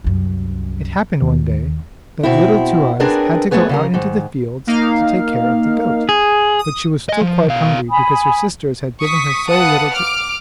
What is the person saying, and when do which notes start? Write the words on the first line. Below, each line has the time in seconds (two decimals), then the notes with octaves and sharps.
It happened one day that Little Two-eyes had to go out into the fields to take care of the goat, but she was still quite hungry because her sisters had given her so little to eat.
0.04 C2 F#2
1.22 D#2
2.23 B2 C4 E4
3.00 C4 D4 G#4 A#4 B4 D5
3.51 F#2 F#3 A3 B3 G#4 B4
3.69 C#3 G3 A#4
3.94 G#2 D#3
4.67 A#3 D#4 F5
6.09 G#4
6.59 D#6
7.09 D#5 G#5
7.21 F3
7.48 B2 F5
7.89 G#5 B5 D#6
9.01 C#6 D#6 B6
9.49 B4 F5 F#5 A5 D#6
9.93 D6 F6